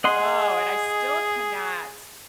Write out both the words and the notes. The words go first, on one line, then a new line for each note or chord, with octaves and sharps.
Oh, and I still cannot,
G#4 D#5 F#5 C6